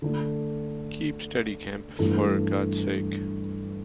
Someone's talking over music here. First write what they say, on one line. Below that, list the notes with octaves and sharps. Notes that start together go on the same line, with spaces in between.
Keep steady, Kemp, for God's sake!
D3 A3 D4
G2 E3 A3